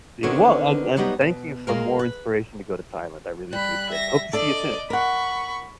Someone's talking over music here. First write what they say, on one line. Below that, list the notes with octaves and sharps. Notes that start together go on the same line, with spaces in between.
It wa and and thank you for more inspiration to go to Thailand. I really appreciate it. Hope to see you soon.
D3 D#3 B3 C4 C#5
F#3 G3 B3 D#4 G4
B2
G#3 A#3 A#4
B4
G3 B5 F#6
E5 A#6
D4 A4 D5 D#5
A#4 F#5 B5 C#6